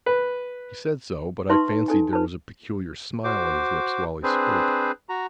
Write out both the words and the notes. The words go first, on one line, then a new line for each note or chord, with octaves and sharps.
"He said so, but I fancied there was a peculiar smile on his lips while he spoke."
B4
D#4 B4 E5 A5 C6 C#6
D#4 A4 G#5
B4 A5
F#4 C5 D6
C4 D4 G#4 B4 C5
F#4 A#5